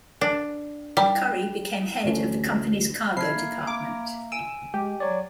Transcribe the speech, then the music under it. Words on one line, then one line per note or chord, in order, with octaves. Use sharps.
Currie became head of the company's cargo department.
D4
G3
A1 D2 A3 C#4
C3 F3 E5 B5 F6 G#6 C7
A#3
D6
G#5 E6 D7 D#7
G#3 G4
F#3 C#5 D5